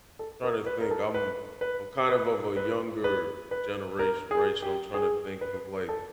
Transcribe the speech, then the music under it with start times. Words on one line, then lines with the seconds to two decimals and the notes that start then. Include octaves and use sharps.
Tryna to think, I'm I'm kind of of a younger generation, right? So, I'm tryna to think of like
0.19 A4
0.44 A#4
0.66 B4
0.81 A#4
0.91 A4
1.14 B4
1.61 B4
2.09 B4
2.57 B4
3.04 B4
3.51 B4
3.99 A#4
4.31 G#4
4.62 G4
4.94 G#4
5.41 B4
5.89 A4